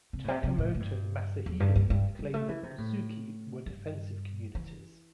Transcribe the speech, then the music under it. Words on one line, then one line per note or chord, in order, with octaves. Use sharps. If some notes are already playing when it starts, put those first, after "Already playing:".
Takemoto Masahide claimed that gusuku were defensive communities.
C3
A2
C3
C3
A2
A2
G2
E2
G2
G2
G2
G3
A3
E3
C3
A2
G2
E3